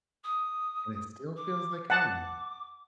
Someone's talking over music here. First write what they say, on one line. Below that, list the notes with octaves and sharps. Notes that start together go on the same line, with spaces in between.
And it still feels like home.
D#6
D6
F#5 A5 D6